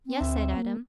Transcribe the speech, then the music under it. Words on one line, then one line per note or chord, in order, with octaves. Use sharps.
"Yes," said Adam.
C4
D2 E5
A#3